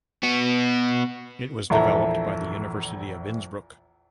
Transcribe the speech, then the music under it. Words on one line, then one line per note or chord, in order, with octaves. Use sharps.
It was developed by the University of Innsbruck.
B3 F#4
A#1 E2 E4 A4 E5 A#5